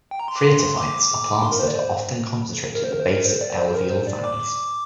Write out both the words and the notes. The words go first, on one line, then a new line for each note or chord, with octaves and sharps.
Phreatophytes are plants that are often concentrated at the base of alluvial fans.
G5
A#5
C6
D6
C6
D6
C6
A#4
C5
D5
C5
A#4
C5
A#4
C5
A#4
C5
D5
C5
A#4
C5
D5
D6